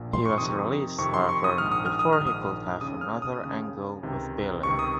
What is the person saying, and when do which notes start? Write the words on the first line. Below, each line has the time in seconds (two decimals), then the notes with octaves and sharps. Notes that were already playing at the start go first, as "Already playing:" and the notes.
He was released, however, before he could have another angle with Billy.
Already playing: A#1 A#2
0.13 C6
0.26 C#6
0.37 F2 C3 D#3 D#6
0.98 F2 C3 D#3 C#6
1.14 C6
1.29 C#6
1.44 D#6
1.58 A#1 G#2 D#3 F6
1.72 D#6
1.86 F6
1.99 D#6
2.13 F6
2.20 A#1 G#2 D#3
2.27 D#6
2.81 D#2 C#3 D#6
3.01 F6
3.22 D#6
3.42 D#2 C#3
4.03 C#2 C3 D#3
4.63 C#2 C3 D#3 C#6
4.79 D#6